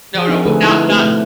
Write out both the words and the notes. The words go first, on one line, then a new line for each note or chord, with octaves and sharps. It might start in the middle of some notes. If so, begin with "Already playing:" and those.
No, no, w not not
F3 G#4
F3 C4 D4 D#4 F#4 G#4
D3 A3 G#4 A4 B4 C5
D#4 E4 F#4 B4
A3 C4 G4 B4 C5
B2 A3